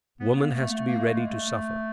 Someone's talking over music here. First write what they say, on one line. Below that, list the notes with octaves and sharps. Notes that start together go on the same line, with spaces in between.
Woman has to be ready to suffer.
B3
A#3
A3
A3
A#3
A3
G#3
A3